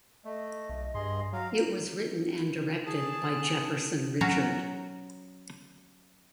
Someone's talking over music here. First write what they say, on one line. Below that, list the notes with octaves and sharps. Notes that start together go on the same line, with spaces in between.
It was written and directed by Jefferson Richard.
A3 D#5
B1
G2 G#4 C6
F#3 F5 A#5
G#4 A5
F#3 C#4 F#4 A#5